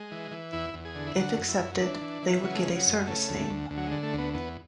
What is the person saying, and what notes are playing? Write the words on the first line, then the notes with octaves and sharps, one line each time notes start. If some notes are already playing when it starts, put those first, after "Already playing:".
If accepted they would get a service name.
Already playing: G#3
E3
E3
E2 E4
E2
G#4
D3
E4
D3 F#4
F#2
E4
F#2
E3 D4
E3
E3
C#3 F#3
A3
G#3
C#3
F#3
F#2 G#3
C#3 A3
D2
D2
D2
F#3
D3 G#3
A3
D2
B3
E2 B3